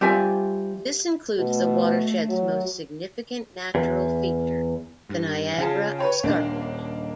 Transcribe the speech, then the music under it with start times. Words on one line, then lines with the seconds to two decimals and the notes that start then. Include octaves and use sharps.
This includes the watershed's most significant natural feature, the Niagara Escarpment.
0.01 G3 C4 F4 G4 E5 G#5
1.39 B2 A3
2.29 F#3
3.75 E2
5.09 G2
5.58 C#3 F4 G#4 A5
5.99 B4 C#5 G5
6.23 D#1 A#3 D4 D#4